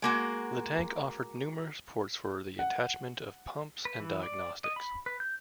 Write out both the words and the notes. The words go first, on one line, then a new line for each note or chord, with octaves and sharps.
The tank offered numerous ports for the attachment of pumps and diagnostics.
G#3 A#3 F#4
F#5
B4
E3
D5
D#5
B5
B4
G6